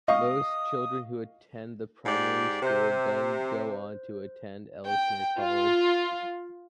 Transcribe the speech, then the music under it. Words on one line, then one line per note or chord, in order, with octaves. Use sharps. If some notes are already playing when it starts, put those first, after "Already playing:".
Most children who attend the primary school then go on to attend Ellesmere College.
D#5 F5 C#6 D#6
G#2 G4 D5
C3 C5 G6
G5
F4